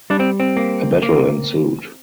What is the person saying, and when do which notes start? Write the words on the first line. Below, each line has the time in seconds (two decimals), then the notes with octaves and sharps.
A battle ensued.
0.10 G3 D4
0.20 C4
0.40 C4
0.57 A#3
1.03 A#3